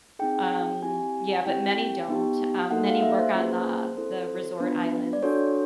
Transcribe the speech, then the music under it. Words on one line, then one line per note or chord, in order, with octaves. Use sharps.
Um, yeah, but many don't, um, many work on the the resort islands.
C4 D#4 G#4 G5
C4 E4 G4 G#5
C4 E4 G4 G5
B3 D#4 G4
A#3 D#4 F#4 A4 F#5
F5
E5
C5
A#3 C#4 F4 G#4 C5
B4
C5
C4 E4 A4 C5
B3 D4 F4 B4
D5
D4 F#4 A4 C#5